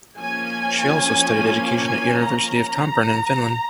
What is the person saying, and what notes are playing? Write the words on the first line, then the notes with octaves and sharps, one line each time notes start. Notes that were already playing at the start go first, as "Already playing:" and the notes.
She also studied education at University of Tampere in Finland.
F3 A#3 C#4 G#5
G#5
A#5